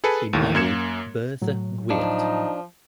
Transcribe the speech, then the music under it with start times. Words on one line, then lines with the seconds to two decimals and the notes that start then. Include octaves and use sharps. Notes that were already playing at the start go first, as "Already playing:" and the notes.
He married Berthe Guiot.
0.04 G#4 A4 B4 C#7
0.33 D#2 A2 D#3
0.55 F#2 A#3 G#6 C#7 E7
1.42 A2 F#3
1.90 F3 D4 D#4